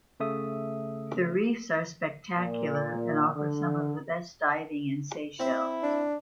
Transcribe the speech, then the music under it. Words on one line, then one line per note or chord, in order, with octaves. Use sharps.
The reefs are spectacular and offer some of the best diving in Seychelles.
C#3 A3 E5 D#6
A#2
D3
C4 E4 E5
D4